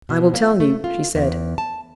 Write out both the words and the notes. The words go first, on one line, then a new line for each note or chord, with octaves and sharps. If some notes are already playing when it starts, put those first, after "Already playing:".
"I will tell you," she said.
B2
A#3
A3
F4
E2
A5